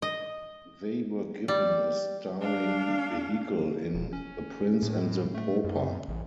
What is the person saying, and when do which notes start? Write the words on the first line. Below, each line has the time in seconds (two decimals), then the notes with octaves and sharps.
They were given a starring vehicle in "The Prince and the Pauper".
0.02 D#5
1.48 G3
2.41 D4 F5
3.94 E1
4.13 C#4
4.82 A2
5.34 A3
5.64 F#2
6.08 A1